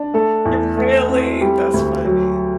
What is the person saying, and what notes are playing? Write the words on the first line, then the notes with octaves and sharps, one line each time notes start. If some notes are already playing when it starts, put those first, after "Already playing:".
Really? That's funny.
Already playing: D4
A3 A4
E2
A3
C4
G3 G4
D2
F#3